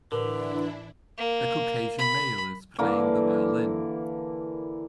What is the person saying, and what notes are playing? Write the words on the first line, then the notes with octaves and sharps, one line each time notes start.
A Caucasian male is playing the violin.
A2 D3 E3 D4 E4 A#4 B4
A#3
B5
D3 E3 A#3 D5